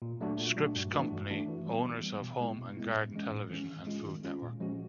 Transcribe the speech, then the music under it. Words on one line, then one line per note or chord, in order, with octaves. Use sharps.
Scripps Company, owners of Home and Garden Television and Food Network.
A#2
F#3 A3 D4 F#4
A#2
F#3 A3 D4 F#4
G2
E3 A3 D4 F#4
G2
E3 A3 D4 F#4
E3
G3 B3
E3
G3 B3
B2
G#3 B3 E4
B2
G#3 B3 E4
A2
E3 G#3 C#4
A2
E3 G#3 C#4
D#3
G#3 C#4 F4
D#3
G#3 C#4 F4
A#2
F3 G#3 C#4 F#4